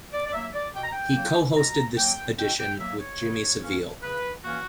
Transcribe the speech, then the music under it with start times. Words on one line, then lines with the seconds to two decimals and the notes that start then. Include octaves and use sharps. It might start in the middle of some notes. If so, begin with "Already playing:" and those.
He co-hosted this edition with Jimmy Savile.
0.12 D5
0.26 D5
0.33 F#3 A#3 E5
0.53 D5
0.74 B2 G5
0.83 A#5
0.92 G5
1.15 F#3 A#3
1.56 B2 A#5
1.97 F#3 A#3 G5
2.38 B2 G5
2.59 G5
2.79 F#3 A#3 E5
3.00 C#5
3.20 C#3
3.62 E3 A#3 C#4
4.02 C#3 B4
4.43 E3 A#3 C#4 F#4